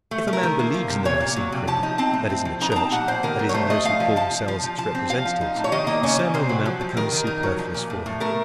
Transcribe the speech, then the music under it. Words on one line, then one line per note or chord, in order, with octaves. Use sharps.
If a man believes in the Nicene Creed, that is, in the Church, that is, in those who call themselves its representatives, the Sermon on the Mount becomes superfluous for him.
A3
A3
A#4
D#3
A#3
F3
C3
A#2 C#5
A#2
F#3
C3
F3 A5
D#4
C4 A5
A2
C4
F3
D#4 A#5
A#5
C4 A5
A#2 F#5
A#2 C5
D#3 A#4
F#3
C#5
A3 C5
A3 D#5
F3 F5
F3
F3 A5
F3
F3
F3
F3 A5
C4
F3 F5
F3
D#4
A2
C#5
D#3 D#5
A#3 D#5
C#3 C#5
C#3
C3 C5
F#3
F3
F3
D#3 A#4
D#3
D#4
F#3
F3
A#2
A2
A2
A3 A#4